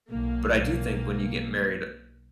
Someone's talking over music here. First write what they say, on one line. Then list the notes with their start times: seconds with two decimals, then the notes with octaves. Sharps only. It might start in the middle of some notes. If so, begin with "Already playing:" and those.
but I do think when you get married,
0.10 B1 A#3